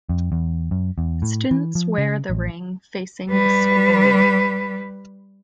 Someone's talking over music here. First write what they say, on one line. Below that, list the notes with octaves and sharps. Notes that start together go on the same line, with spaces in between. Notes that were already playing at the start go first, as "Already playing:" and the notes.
Students wear the ring facing the school name.
F2
E2
F#2
E2
A2
E3
F3
C#3
A1
G3 B4